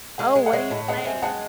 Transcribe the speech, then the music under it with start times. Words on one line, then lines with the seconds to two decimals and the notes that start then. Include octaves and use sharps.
Oh, what do you play?
0.18 G#3 D#5 F#5
0.35 G#3
0.46 F#5
0.53 G#3 C#5 E5
0.71 A2
0.88 G#3 D#5 F#5
1.05 C4 E5 G#5
1.22 G#3 F#5 A5